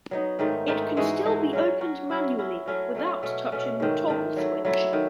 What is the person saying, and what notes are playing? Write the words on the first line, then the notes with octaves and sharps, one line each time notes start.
It can still be opened manually without touching the toggle switch.
F#3 B3 D#4
G#2 D#3 A3 D#4
G#2 D#3 A3 D#4
E3 G#3 D#4 F#4
E3 G#3 D#4 F#4
F#3 C#4 F#4
F#3 C#4 F#4
F#3 C#4 E4
F#3 C#4 E4
F#3 A3 C#4 F#4
F#3 A3 C#4 F#4
B2 A3 C#4
B2 A3 C#4
G#2 D#3 A3
G#2 D#3 A3
F#3 A3 E4
F#3 A3 E4
D#3 A3